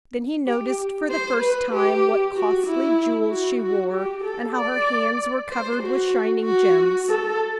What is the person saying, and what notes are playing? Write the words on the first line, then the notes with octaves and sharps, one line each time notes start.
Then he noticed for the first time what costly jewels she wore, and how her hands were covered with shining gems.
G4
C5
B4
G4
F#4
E4
F#4
F#4
G4
A4
D5
C5
F#4
F#4
A4